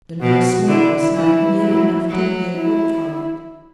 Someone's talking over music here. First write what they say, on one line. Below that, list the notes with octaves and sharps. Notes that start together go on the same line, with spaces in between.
The nursemaid was not near enough to hear what followed.
B2 F#4
D3 E4
E3 E4
F#3
F#3
E4